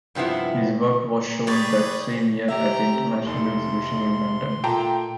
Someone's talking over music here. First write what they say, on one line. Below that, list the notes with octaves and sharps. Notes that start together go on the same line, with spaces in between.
His work was shown that same year at the International Exhibition in London.
G2 C3 F3 B3 E4
G4 G#4 B4 C#5 D5
G4 E5 A#5
C3
F1 D#4 C6
A#2 A3 G5 A5 A#5